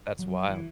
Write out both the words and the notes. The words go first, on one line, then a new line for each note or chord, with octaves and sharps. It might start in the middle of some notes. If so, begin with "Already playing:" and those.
That's wild.
F#3
E3